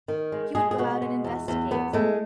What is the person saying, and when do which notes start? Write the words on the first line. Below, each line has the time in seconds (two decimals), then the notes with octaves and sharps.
He would go out and investigate.
0.08 D#3
0.32 G#3
0.55 G#3 G#4
0.71 G#4
0.78 B2 F#4
1.02 G#3
1.24 E2
1.48 E2
1.71 E2 B3
1.93 G#3 A3